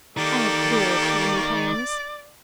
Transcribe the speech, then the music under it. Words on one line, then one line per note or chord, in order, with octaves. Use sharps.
I adore creamy paleness.
D#3 A#3 G4 A4 D5